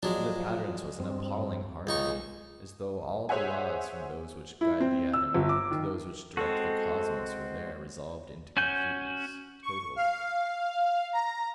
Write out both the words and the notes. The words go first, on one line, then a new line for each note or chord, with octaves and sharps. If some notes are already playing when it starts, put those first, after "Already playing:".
In the patterns was an appalling harmony--as though all the laws from those which guide the atom to those which direct the cosmos were there resolved into completeness--totalled.
F3 F#3 G#3 D4
G2 C4
C#2 G#3 D#4 C#6
G#4 C5 C#5 E5 F#5 G#5
E4
C4
E6
G1
D6
D#3
G#3 C4 F#4 A4
C#4 F#4 G#5 G6
C#6
F5
A#5